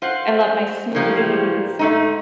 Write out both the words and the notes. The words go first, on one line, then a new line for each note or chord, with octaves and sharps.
I love my smoothies.
F4 C5 F#5
A2 E3 F3 G3 A#3
G#2 A3 D#4